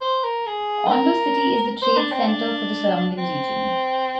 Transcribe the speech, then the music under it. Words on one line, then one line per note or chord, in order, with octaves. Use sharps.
Ondo City is the trade center for the surrounding region.
C5
A#4
G#4
C5
A#4
C5
D4
C4
D4
C4